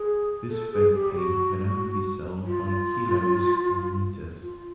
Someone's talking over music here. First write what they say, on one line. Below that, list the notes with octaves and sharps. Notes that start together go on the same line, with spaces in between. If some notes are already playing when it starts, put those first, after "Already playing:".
This fake paint can only be sold by kilos or meters.
Already playing: G#4
A4
G#4
G4
F#4
F4
F4